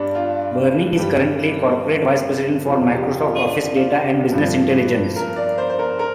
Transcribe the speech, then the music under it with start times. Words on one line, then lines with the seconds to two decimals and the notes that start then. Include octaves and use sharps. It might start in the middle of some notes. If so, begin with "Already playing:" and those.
Burney is currently corporate vice president for Microsoft Office Data and Business Intelligence.
Already playing: G2 G3 D4
0.15 F4
0.97 G2 G3 G4
2.65 F2 C3 F3 F4
2.93 G4
3.21 F4
3.48 D4
3.76 F4
4.04 G4
4.32 G2 F3
5.16 A#4
5.36 D5
5.58 C5
5.69 C5
5.79 A#4
5.99 A#4